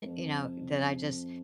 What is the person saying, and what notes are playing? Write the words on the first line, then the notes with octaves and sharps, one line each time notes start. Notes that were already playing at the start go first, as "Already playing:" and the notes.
you know, that I just
F2